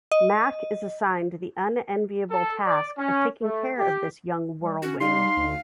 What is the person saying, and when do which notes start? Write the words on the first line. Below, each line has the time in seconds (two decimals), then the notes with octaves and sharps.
Mac is assigned the unenviable task of taking care of this young whirlwind.
0.12 D#5
2.30 A4
2.65 D5
2.97 C#4
3.41 A3
3.79 G4
4.62 G3
4.82 C#4 F#4
5.01 G3 D#4 F5 C6
5.37 D2